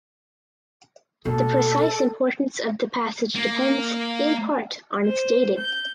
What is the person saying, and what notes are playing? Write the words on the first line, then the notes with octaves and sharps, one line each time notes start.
The precise importance of the passage depends in part on its dating.
B2 A#3 A4
A#3
C5
G6